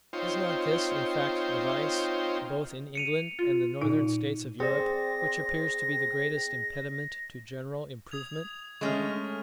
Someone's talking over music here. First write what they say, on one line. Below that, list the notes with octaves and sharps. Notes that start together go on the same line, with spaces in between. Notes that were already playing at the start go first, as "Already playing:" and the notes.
Is not this, in fact, the vice, both in England and the northern states of Europe, which appears to be the greatest impediment to general improvement?
C4 D#4 F4 C5 C#5 G5
C#7 D#7 F7
F4
A#2 D#4
C4 G#4 D5 A#6
D#6 G#6 F7
G#3 A3 C#4 C#6 F6